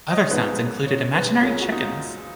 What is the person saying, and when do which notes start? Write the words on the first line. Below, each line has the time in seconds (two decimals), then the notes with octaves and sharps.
Other sounds included imaginary chickens.
0.11 D#5
0.20 C#5
0.30 G#2 F3 B3 D#4 B4
0.86 C#5
1.14 B4
1.41 C#2 C#3 G#3 C#4 A#4
1.60 F#4
1.72 D#4
1.80 F4